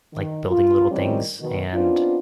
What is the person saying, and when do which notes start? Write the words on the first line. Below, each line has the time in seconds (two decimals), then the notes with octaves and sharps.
like, building little things, and
0.13 D#3
0.49 F4
0.91 D#3 F3 G3 C4 C#4 E4
1.40 B2 D#3
1.73 B3 C4 D4 D#4 F4